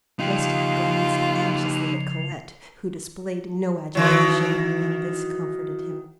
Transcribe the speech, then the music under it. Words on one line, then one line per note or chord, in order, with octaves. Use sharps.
West glanced anxiously at Colette, who displayed no agitation, and this comforted him.
C#3 F3 D#4 F4 G4
D#3 E3 F#3